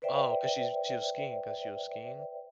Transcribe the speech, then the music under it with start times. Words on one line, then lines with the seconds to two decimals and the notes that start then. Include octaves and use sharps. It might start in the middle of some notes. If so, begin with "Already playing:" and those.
Oh, 'cause she's she was skiing 'cause she was skiing?
0.02 B4 C5 D5 E5 G5